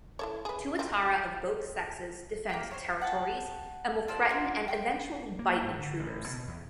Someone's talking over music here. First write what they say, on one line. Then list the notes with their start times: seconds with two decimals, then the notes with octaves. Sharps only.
Tuatara of both sexes defend territories, and will threaten and eventually bite intruders.
0.19 E4 A4 C#5
0.45 G#4 B4
0.79 C#3 F#3 C4
2.50 A#3 G4
2.71 C5 C#5
3.02 F#5 G5 A5
4.08 F4 A4 C5 D5
4.30 D4 F4 F#5
4.68 G5 A#5 C#6
5.39 A#3
5.63 G#2
5.79 D3
5.99 A1
6.28 B2
6.48 E2